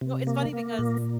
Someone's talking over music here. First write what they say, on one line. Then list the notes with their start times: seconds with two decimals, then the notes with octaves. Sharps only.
No, it's funny because
0.01 C3
0.27 A#3
0.53 A#3
0.79 A#2